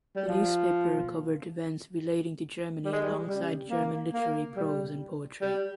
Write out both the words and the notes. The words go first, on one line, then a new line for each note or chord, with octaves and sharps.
The newspaper covered events relating to Germany alongside German literary prose and poetry.
G3
F3
G3
G#3
G3
G3
A#3
A#3
G3
G3